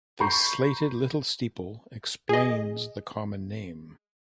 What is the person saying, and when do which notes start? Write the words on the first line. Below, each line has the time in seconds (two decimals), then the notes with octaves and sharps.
The slated little steeple explains the common name.
0.20 A#5 B5 C#6 G6 C7
2.29 G#4 D#5